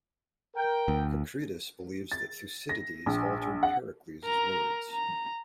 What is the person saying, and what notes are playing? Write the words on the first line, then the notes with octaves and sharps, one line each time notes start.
Kakridis believes that Thucydides altered Pericles words.
A#4 G5
D2
A6
A#6
A#1
F#5
A#4 A#5
A#5